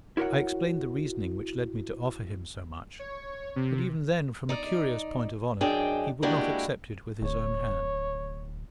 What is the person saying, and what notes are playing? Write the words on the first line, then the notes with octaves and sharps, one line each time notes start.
I explained the reasoning which led me to offer him so much; but even then, from a curious point of honour, he would not accept it with his own hand.
E4 F#4 A#4 C#5 F#5
C#5
C3
D#4 D5
F#2 D4 G#4 D#5 G5
G#3 A#3 D4 E4 F#4 G4
D1 C#5